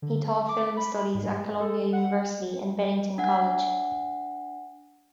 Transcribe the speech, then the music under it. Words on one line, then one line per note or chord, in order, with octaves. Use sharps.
He taught film studies at Columbia University and Bennington College.
D3
A4
D6
B5
G#2
G#3
A4
F#5
D4 F#5